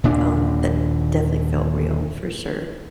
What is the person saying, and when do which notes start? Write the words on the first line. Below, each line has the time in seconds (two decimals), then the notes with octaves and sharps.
um, that definitely felt real, for sure.
0.04 D#2 A#2 D4